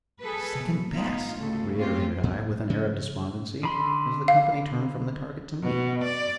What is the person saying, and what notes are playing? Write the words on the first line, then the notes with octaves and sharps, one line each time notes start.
"Second best!" reiterated I, with an air of despondency, as the company turned from the target to me.
G#4 A4 B4
B2 F#3
A2 B3 D#4 F4
D2 A2 C#3 A4
A3 A#3 C4 C#4 F4 G4
A2
C#3 F3 C#4
D3 B5 C6
F5
B2
D5